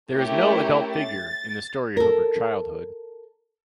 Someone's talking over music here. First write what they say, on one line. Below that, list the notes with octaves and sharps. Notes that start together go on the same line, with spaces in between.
There is no adult figure in the story of her childhood.
A3 C#4 E4 G4 A#4
A6
A4 A#4